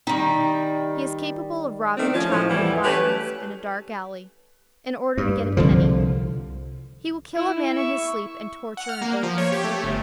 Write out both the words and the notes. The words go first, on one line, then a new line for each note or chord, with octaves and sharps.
He is capable of robbing a child with violence in a dark alley, in order to get a penny; he will kill a man in his sleep and torture an old woman.
D#3 G3 D#4
D#3 A3 C4 D4
F3 C#4
A2 F3
E2 E3 G3 E4
A3 C#4 G4 B4
G2
C2 D3 F3
E4
E5 C#6
F#5
F6
A#3
F3
C#5
G4
A3
G1